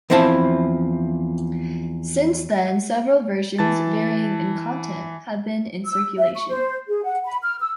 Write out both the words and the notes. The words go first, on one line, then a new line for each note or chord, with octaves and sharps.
Since then several versions, varying in content, have been in circulation.
E2 F3 C4 E4 A5
E3 A5 A6
E6
E5
C#6
C5
G#4
F#5
B5
F6
E6